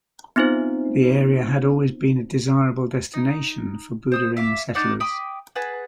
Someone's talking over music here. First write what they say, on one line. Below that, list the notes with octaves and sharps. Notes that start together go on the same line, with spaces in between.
The area had always been a desirable destination for Buderim settlers.
B3 C4 D#4 F4 C5
D#4
C5 D#6 E6
E5 F5 D6
D4 D#4 D5 F#5
G5 B5 D6 D#6
G#4 B4 F#5 A5